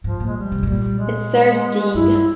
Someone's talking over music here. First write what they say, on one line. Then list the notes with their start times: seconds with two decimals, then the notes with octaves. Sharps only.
It serves Deeg.
0.04 G#2 F3
0.20 A#2
0.26 G#3
0.36 G3
0.52 C3
0.63 G#2
0.67 A#2 G3
0.99 G#3
1.95 G2 E4
2.16 E4